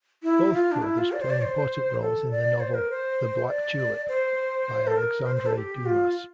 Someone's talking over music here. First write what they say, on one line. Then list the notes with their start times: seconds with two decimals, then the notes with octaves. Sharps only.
Both brothers play important roles in the novel "The Black Tulip" by Alexandre Dumas.
0.23 E4
0.53 F4
0.72 D4
0.83 E4
0.98 F4
1.12 D5
1.21 C5
1.30 D5
1.42 C5
2.01 A4
2.31 D5
2.60 C5
2.74 A#4
2.90 C5
3.49 D5
4.09 C5
4.87 A4
4.97 A#4
5.26 C5
5.36 C5
5.46 A4
5.56 G4
5.86 F4